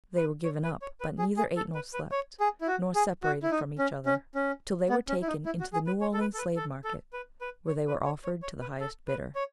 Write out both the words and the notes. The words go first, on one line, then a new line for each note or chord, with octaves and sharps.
They were given up, but neither ate nor slept, nor separated from each other, till they were taken into the New Orleans slave market, where they were offered to the highest bidder.
B4
C#5
B4
C#5
B4
G#4
G#4
A4
B4
B4
C#5
G#4
E4
F#4
G#4
F#4
E4
D#4
C#4
C#4
C#4
B3
C#4
E4
D#4
E4
F#4
G#4
B4
C#5
A4
B4
A4
B4
A4
A4
B4
B4
C#5
B4
C#5
C#5
C#5
B4
A4
B4
C#5